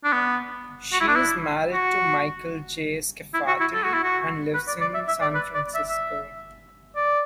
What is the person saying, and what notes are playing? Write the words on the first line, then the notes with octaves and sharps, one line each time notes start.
She is married to Michael J. Scafati and lives in San Francisco.
D4
B3
F#4
E4
D4
E4
F#4
E4
F#4
E4
A4
F#4
E4
F#4
B4
D5
D5
E5
E5
D5
B4
D5
E5
E5
D5